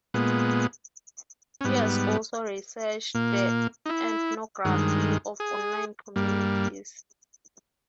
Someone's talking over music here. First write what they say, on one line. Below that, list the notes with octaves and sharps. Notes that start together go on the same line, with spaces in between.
She has also researched the ethnography of online communities.
A#2 G#3 B3
C#4
G#2 G3 B3
A#2 A#3
D#4
E4
G2 D#3 G#3
G#4
G2 G3 A#3